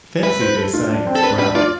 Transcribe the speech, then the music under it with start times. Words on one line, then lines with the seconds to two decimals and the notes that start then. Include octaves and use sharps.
Fancy their saying it’s brown.
0.23 B4 E5
0.40 C5
0.56 A4
0.74 F4
0.90 D4
1.06 C4
1.16 A4
1.23 D4 B4
1.39 D4 B4
1.55 F4 D5